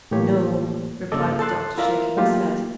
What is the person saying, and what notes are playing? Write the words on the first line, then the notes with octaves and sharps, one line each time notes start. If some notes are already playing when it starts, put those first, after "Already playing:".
'No,' replied the Doctor, shaking his head.
A2 E3 A3 A#3 G4 C#5
G2 C#3 A#3 A4 D#5 D6
A4 A5 C6 F#6
E4 F4 A#4 D5 E5 F5
F#3 A3 A#3 D#4 F4 G4